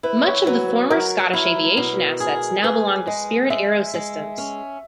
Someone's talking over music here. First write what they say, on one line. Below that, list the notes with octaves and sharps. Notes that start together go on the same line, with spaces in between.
Much of the former Scottish Aviation assets now belong to Spirit AeroSystems.
E4 B4
C#5
F#3 B4
B4
F#3 A#4
E4
B2
G#4
G#4 B4
G#3 D#5
G#3 E5
G#3
C#4